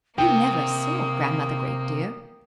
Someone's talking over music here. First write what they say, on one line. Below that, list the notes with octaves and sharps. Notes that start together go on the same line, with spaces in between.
"You never saw Grandmother Great, dear."
C3 A#3 G5 D#6